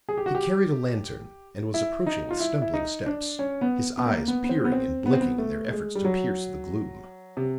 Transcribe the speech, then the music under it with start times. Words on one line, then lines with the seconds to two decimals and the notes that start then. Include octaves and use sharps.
He carried a lantern and was approaching with stumbling steps, his eyes peering and blinking in their efforts to pierce the gloom.
0.09 G#4
0.17 G4
0.26 F#4
0.35 G4
1.74 E4
2.07 D#4
2.31 F4
2.40 E4
2.62 E4
2.74 D#4
3.06 D4
3.39 C#4
3.61 B3
3.98 B3
4.06 A#3
4.28 B3
4.44 B3
4.49 C4
4.65 B3
4.72 C4
5.06 B3
5.13 C4
5.21 B3
5.38 A3
5.72 G#3
5.95 G3
6.05 F#3
7.37 C3